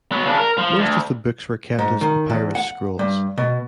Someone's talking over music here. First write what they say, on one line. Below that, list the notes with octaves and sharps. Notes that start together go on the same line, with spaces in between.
Most of the books were kept as papyrus scrolls.
F#3 B3
C#3 D4
A#4
F3
D2
G#2
D#3
E2
F#5
G2
B2